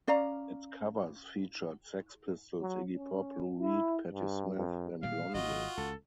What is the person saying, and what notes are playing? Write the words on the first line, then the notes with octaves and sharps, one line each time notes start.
Its covers featured Sex Pistols, Iggy Pop, Lou Reed, Patti Smith, and Blondie.
C#4 D5 F5 A#5
F#3
C#4
E4
G2
F2
A#2 D#3 G3 F5
G#1 F4 F#4 D#5
C#2 A4